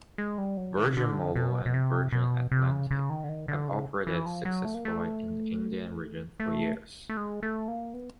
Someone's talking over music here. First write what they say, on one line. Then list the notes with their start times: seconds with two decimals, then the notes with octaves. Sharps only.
Virgin Mobile and Virgin Atlantic have operated successfully in the Indian region for years.
0.18 G#3
0.38 G3
0.57 F#3
0.77 D#3
0.97 D3
1.35 B2
1.66 B2
1.74 C3
2.12 B2
2.51 C3
2.71 C#3
2.91 C#3
3.10 D#3
3.24 D3
3.29 D#3
3.48 D3
3.68 C#3
4.07 E3
4.26 F3
4.45 F#3
4.65 A3
4.74 A#3
4.85 A3
6.40 A3
7.09 A3
7.17 G#3
7.43 A3
7.68 A#3
7.94 B3